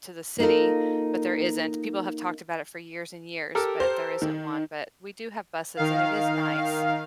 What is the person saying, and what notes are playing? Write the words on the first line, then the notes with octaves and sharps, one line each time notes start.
to the city, but there isn't. People have talked about it for years and years, but there isn't one. But we do have buses and it is nice
A#3 D#4 F4 A4 A#4
G4 A4 A#4
C5
D#3
D#3 F5